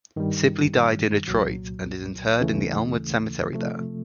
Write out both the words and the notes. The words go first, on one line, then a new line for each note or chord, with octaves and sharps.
Sibley died in Detroit and is interred in Elmwood Cemetery there.
G2 D#3 G3
C2 A#2 F#3
D#2 C#3 E3 A3
C3 F3 A3